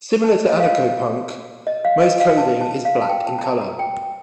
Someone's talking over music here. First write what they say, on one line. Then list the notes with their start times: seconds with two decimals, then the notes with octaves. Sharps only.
Similar to anarcho-punk, most clothing is black in color.
0.24 A5
0.49 D#5
0.60 F5
1.67 D#5
1.85 F5
2.02 D#5
2.20 F5
2.37 A5
2.61 A5
2.85 F5
3.02 A5
3.09 G5
3.27 A5
3.39 A#5
3.44 A5
3.61 A#5
3.79 G5